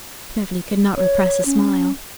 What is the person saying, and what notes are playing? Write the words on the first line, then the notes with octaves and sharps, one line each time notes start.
Beverly could not repress a smile.
C#5
C#4